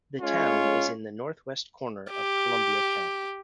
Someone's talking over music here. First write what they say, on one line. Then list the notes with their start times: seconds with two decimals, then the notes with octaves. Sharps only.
The town is in the northwest corner of Columbia County.
0.22 G#3 C#4 F4 C#5
2.12 G4